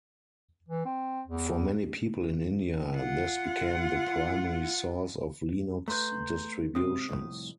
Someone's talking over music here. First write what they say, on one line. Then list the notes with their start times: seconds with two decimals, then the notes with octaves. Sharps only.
For many people in India, this became the primary source of Linux distributions.
0.69 E3
0.85 C4
1.27 E2
2.96 F4 F#5
5.88 A3 B4 A#5 C6 G6
6.75 G#2 C3 C4 D#6
7.08 C2 F2 A2